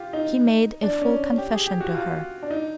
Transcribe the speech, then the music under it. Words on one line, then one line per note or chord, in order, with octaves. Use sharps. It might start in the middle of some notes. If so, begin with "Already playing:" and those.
He made a full confession to her.
Already playing: F4 G4
D#4
D4
C#4
G4
G#4
G4
F#4
F4
D4
D#4